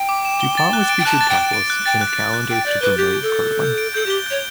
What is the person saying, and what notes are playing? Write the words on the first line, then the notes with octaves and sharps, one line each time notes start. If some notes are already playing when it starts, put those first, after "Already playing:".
Dupont was featured topless in a calendar to promote curling.
Already playing: G5
D6
E7
G7
A6
F#6
D7
G5
A5 F#6
A6
G5
F#6
D7
F#6
G5 A6
F#6
D7
F#6
G5 D7
D5 G6
B4 G7
G4 G6
D7
A4
G6
G7
G6
D7
A4 G6
G4 G7
C#5 G6